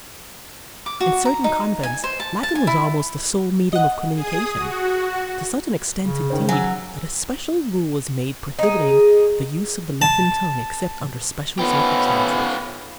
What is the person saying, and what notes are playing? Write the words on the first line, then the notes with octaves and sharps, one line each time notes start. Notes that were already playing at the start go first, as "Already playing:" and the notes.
In certain convents Latin was almost the sole medium of communication,--to such an extent, indeed, that a special rule was made prohibiting "the use of the Latin tongue except under special circumstances."
D6
F#4
A#5
D#4
G#5
C5
A5
A5
G#5
E4
D#5 F#5
G#4 D#6
F#4
C#3
D#3 C#4 C5
F#3 G#5 E6
D#4 G#4
A5
F3 A3 B3 C#4 F4 G4 B5